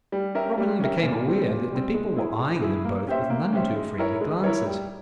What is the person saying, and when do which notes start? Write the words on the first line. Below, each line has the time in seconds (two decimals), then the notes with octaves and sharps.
Robin became aware that the people were eyeing them both with none too friendly glances.
0.12 G3
0.35 C#4 G4 A#4 E5
0.58 G3
0.80 C#4 G4 A#4 E5
1.03 A#2
1.26 G3 C4
1.49 A#2
1.71 G3 C4
1.94 G#3
2.16 E4 G#4
2.39 G#3
2.62 E4 G#4
2.85 A#3
3.07 C#4 G4 C5 E5
3.30 A#3
3.53 C#4 G4 C5 E5
3.76 G#3
3.98 E4 A#4 C#5
4.21 G#3
4.44 E4 A#4 C#5
4.66 G3